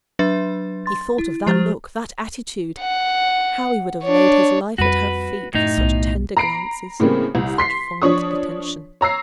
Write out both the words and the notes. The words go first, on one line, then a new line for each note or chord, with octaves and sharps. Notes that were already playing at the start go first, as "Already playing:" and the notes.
He thought of that look, that attitude!--how he would have laid his life at her feet for such tender glances, such fond detention!
F#3 D4 B4 E5 C6 A6
C6 A6
E4
F3 G#3 G4 C5 F6 A6
F#5
D4 C#5
F2 G3 F#4 B4
F#2 A2 D#4
B1 F#2
A#5 B5 C7 D7
A2 C#3 G3 A#3 C4
C2
C6 B6 C7
F3 D4 C#5 C#6 D#6
C#5 A#5 E6 C7